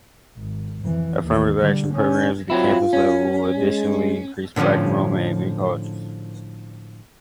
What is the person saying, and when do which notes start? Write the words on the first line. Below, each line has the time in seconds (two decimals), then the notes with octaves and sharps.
Affirmative action programs at the campus level additionally increased Black enrollment at many colleges.
0.37 G#1
0.83 F2 E3
1.21 D#2
1.61 D3 G3
1.94 C#4
2.50 F#3 C4 E4 F4
2.93 C#4
3.57 G#3
4.56 A2 D3 D#3 F3 C#4